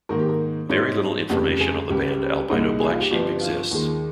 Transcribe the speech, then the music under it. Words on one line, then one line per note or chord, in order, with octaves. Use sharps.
Very little information on the band Albino Blacksheep exists.
G#2 D#3 A#3 A#4
G4
A#4
G#2 G3 C4 D#4 C#5
F1 F2 C#3 G3 G4
G#4
C#2 C#3 G3 G4
G4
G4
C2 A#2 G#3 D#4
G#4
F4
G4
G1 G2 F3 C4 G4
F4
D#2 D#3 G#3